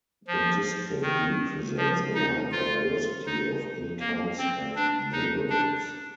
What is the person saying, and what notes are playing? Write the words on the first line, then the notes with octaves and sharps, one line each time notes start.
The district represents a wide diversity of incomes and neighborhoods.
F3
D#3
F3
D#4
F4
D#4
A#3
C4
D4
D#4
D4